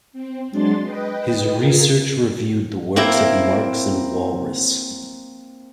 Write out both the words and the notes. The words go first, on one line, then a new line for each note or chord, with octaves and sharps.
His research reviewed the works of Marx and Walras.
C4
F#3 G#3 D4 C6 A6
B4 D#5 G5
F4 G#4 A#4
A#3 C4 E4 A#4